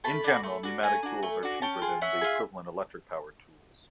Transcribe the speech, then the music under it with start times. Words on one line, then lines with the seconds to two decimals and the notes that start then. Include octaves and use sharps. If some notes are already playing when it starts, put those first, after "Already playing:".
In general, pneumatic tools are cheaper than the equivalent electric-powered tools.
0.04 A3 A5 B5
0.24 D4 F#4
0.43 A3
0.63 D4 F#4
0.83 A3 G#5 A#5
1.03 D4 F#4
1.23 A3
1.43 D4 F#4
1.62 C#4 G5 A5
1.82 F4 G#4
2.01 C#4 E5 F#5
2.21 F4 G#4